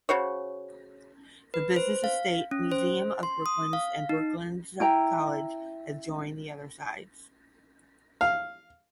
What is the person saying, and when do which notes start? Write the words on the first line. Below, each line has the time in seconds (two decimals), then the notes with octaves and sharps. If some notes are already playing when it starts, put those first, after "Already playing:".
The business estate, museum of Brooklands and Brooklands College adjoin the other sides.
0.09 C#3 F#4 C5 C#5
1.54 B4
1.76 C5
2.04 F5
2.51 C#4
2.72 C5
3.23 C6
3.46 D#6
3.73 F5
4.09 D#4
4.80 E4 G5 A#5
8.21 F5